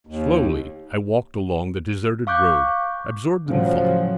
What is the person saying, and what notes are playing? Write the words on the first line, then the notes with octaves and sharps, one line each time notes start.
Slowly I walked along the deserted road, absorbed in thought.
D#2
F5 C#6 D6 F#6 G6
A2 C#3 F3 F#3